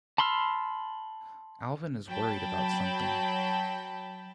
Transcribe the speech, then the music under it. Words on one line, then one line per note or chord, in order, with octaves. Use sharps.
Alvyn is worried about something.
A5 B5 C6 E6 F6
F#3 G5 A5 B5